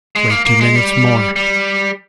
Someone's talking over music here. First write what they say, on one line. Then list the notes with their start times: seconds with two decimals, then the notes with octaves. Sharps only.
"Wait two minutes more."
0.16 G#3
0.30 A#3
0.45 A#3
0.61 G#3
0.75 G3
1.36 G3